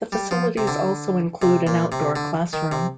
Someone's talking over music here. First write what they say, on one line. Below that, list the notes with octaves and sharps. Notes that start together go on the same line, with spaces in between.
The facilities also include an outdoor classroom.
G3
F3
C3
D3
C3
A#2
C3
D3
D#3
C3